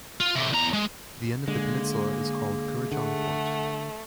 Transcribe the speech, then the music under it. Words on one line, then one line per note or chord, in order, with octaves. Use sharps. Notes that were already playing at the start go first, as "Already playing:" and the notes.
The end of the peninsula is called Kurrajong Point.
F4
A2 C3
E2 A#5
G#3
D3 G#3 A#3
D3 A3 F#5